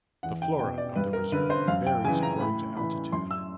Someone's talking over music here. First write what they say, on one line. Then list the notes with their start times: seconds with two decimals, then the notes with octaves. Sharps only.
The flora of the reserve varies according to altitude.
0.23 E2 F#5
0.42 G5
0.59 B2 G5
0.78 D5
0.96 G2 B4
1.13 A#4
1.32 D3 B4
1.50 C5
1.67 F#2 F5
1.87 G5
2.04 C#3 G#5
2.08 E3
2.23 A#5
2.40 A2 B5
2.76 E3 B5
3.12 F#2 C6
3.31 E6